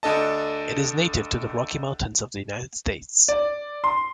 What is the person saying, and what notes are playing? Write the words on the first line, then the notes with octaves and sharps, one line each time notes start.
It is native to the Rocky Mountains of the United States.
D2 D4 A4 D#5 A5
D5
C6